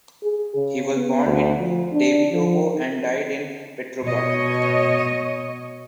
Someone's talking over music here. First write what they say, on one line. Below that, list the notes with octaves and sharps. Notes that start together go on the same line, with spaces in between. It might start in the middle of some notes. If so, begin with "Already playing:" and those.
He was born in Davydovo and died in Petrograd.
G#4
C#3
B3
D2
F3
D4
F3
B2 C#5 D#5